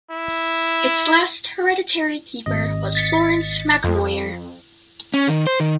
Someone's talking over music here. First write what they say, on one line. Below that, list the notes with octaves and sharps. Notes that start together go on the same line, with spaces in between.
Its last hereditary keeper was Florence MacMoyer.
E4
G#1 D#5
A6 B6 C#7
F2
C#4
D#3
C5
D#3